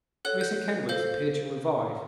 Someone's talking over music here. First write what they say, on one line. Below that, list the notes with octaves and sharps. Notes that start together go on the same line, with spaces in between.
Mr Kenwigs appeared to revive.
A4 C#5 F#5 F#6
G6
A4 C5 F5 G6